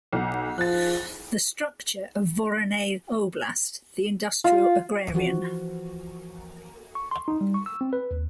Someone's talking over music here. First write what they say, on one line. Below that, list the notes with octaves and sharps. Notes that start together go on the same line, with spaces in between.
The structure of Voronezh Oblast the industrial-agrarian.
B1 F#5
F3 F#6 A6
F4
E3 F3 F#4
C#6
C6
D#4
G3
C#6
E6
C4
B4
D#2